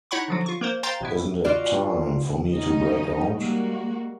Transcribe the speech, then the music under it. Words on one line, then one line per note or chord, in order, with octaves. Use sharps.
Isn't it time for me to break out?
D#4 E4 C#5 F#5 B5 C#6
D3 F3 F#3
F4 C#6
A#3 A#4 C5
C5 F5 G5 A#5 C6 A6
A1 B2 E4
F4 F#4 D5
F#2 C#4 D#4 D#5
G3 G#3 A#3 F#4